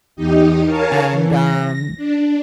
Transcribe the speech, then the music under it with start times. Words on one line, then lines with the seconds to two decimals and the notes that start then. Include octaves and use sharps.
and, um
0.16 E2 D#4 G4 D#5
0.66 A#4 C#5 F5 G#5 A5
1.09 E3
1.39 A#6
1.97 D4